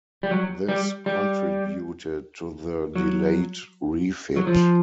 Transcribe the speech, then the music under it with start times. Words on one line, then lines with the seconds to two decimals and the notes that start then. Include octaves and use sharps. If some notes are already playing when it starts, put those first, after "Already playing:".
This contributed to the delayed refit.
0.23 G3
0.31 F#3
0.69 G3
1.06 G3
2.96 F#3
4.36 F#3
4.47 F3